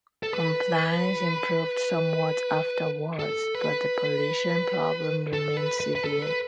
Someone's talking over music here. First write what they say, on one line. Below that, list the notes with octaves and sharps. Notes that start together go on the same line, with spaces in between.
Compliance improved somewhat afterwards, but the pollution problem remained severe.
A4
B4
A4
B4
A4
B4
B4
B4
A4
B4